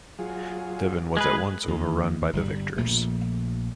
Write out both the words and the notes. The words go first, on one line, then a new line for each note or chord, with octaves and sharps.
Devon was at once overrun by the victors.
F#3 F4 G#4
G#3 G#4 B4
D#2
G1 B2 G3
A#1 A#2 F3 A3